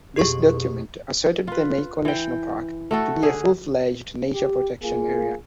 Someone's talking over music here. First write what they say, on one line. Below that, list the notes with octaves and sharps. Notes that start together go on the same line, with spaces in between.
This document asserted the Maiko National Park to be a full-fledged nature protection area.
F2 B2 G4 G#4 C#6
F4 B4
E3 G5
A3 F#4 A4
D3 G#4
G4
A#3 F4 G#4